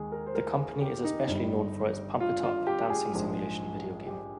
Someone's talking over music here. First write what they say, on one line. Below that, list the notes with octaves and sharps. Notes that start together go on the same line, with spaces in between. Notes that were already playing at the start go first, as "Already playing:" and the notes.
The company is especially known for its "Pump It Up" dancing simulation video game.
Already playing: D#2 D#3 G#3 G#4
A#4
C5
A#4
G#4
G4
D#4
G1 G2 G3
F4
F4
G4
G#4
A#1 G#2 F3 G#3
G4